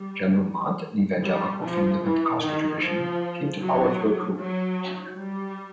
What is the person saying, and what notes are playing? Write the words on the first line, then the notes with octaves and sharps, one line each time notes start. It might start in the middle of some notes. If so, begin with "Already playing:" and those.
General Montt, an Evangelical from the Pentecostal tradition, came to power through a coup.
Already playing: G3
G3
F3
E3
D#3
F3
F#3
F#3
G3